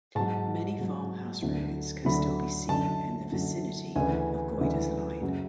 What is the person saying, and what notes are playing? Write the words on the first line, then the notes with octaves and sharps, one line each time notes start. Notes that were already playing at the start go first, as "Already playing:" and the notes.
Many farmhouse ruins can still be seen in the vicinity of Goyder's line.
G#2 F#3 A5
G#2 F#3
D2 D3 F#3
D2 D3 F#3 B5
F#2 D3 F#3 A5
F#2 D3 F#3
D2 C#3 E3 G#5
D2 C#3 E3
F#2 C#3 F#3